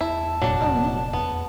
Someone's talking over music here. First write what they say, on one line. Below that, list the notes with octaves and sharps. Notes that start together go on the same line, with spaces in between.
Oh, neat.
E2 E4 A5
F1 A#2 F#3 D4
E2 B3